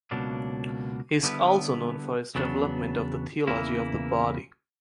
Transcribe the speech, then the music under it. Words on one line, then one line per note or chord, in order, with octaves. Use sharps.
He is also known for his development of the Theology of the Body.
C#2 B2 F#3 A#3 D4
D3 G3 B3 E4 B4
E2 C#3 F#3 B3 D4
E2 C#3 E3 A#3 E4